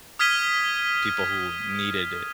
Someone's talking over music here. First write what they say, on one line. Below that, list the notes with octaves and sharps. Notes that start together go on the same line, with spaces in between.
people who needed it
D#6 F6 G#6 B6 D#7 G7